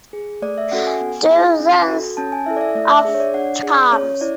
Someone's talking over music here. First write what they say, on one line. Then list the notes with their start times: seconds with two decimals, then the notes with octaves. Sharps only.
Dozens of times.
0.13 G#4
0.42 A3 D5
0.58 E5
0.72 C#4 F#4 A4 F#5
0.87 G#5
1.01 B3
1.31 E4 G#4
1.60 C#4
1.88 F#4 A4
2.17 C#4 A5
2.32 G#5
2.46 E4 A4 E5
2.56 D5
2.61 E5
2.75 A3 D5
2.91 E5
3.05 D4 G#4
3.14 C#5
3.20 D5
3.34 D4 F#5
3.63 G#4 D5
3.92 C#4 C#5
4.21 E4 D5